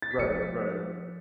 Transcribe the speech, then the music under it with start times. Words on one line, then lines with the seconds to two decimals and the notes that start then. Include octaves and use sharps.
Right, right.
0.02 A6
0.11 B6
0.18 F3 C#7